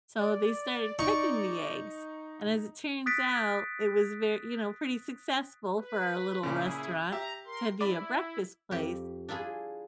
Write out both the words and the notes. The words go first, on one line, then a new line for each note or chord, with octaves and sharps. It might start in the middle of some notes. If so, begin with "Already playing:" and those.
so they started cooking the eggs and as it turns out, it was ve you know, pretty successful for a little restaurant to be a breakfast place
D5
D#4 C#6
D#6 F#6 A6 B6 D7
B4
A#2 C#3 E4 G#4
G4 E5 A#5
A#4 C6
E4 D5 B5
F2 G4
D4 E4 F4 G#4